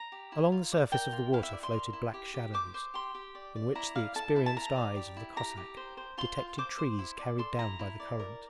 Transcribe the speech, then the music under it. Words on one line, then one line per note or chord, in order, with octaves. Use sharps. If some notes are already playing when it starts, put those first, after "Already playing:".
Along the surface of the water floated black shadows, in which the experienced eyes of the Cossack detected trees carried down by the current.
Already playing: A#5
G4
E4
F4
D5
A#4 G5
F4
E4 F5
E5
D5
C6
A#4
E4
G4
G4
C5 D6
C5
G4 C6
G4
D5
D5
E4 A#5
D5 F5
A4 A5
E4
A5
E4 A#5
D5
G4
E4
G4 A#5
G4
C5
C5
F4 C6
F4
C5 D6
C5
E4
D5
A4 C6
E4 A#5
E4
D5
A#4